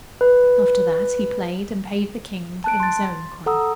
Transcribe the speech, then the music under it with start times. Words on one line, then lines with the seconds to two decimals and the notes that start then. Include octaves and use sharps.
After that, he played and paid the king in his own coin.
0.21 B4
2.64 A5 F#6 D7
2.80 C6 A6
3.46 A4 F#5 A#5 D#6 E6